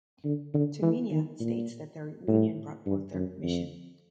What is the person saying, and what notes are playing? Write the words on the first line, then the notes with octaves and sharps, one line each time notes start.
Tumminia states that their union brought forth their "mission".
D3
D3
E3
D#3
A#2
A2
G2
F#2
F2